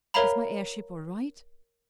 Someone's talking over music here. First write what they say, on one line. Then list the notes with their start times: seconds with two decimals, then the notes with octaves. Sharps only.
"Is my airship all right?"
0.14 A#4 C#5 E5 F5 A#5 B5